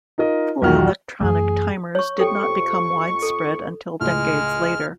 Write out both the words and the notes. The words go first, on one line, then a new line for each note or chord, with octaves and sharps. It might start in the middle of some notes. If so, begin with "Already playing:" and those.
Fully electronic timers did not become widespread until decades later.
D#4 F4 A#4 D#5
B1 E2 D#3 F4 F#4 F6
F#2 E3 A3 G#4
C#5 C#6
F2 G4 A4 G5 C#6
A4
C#2 A2 G#3 F6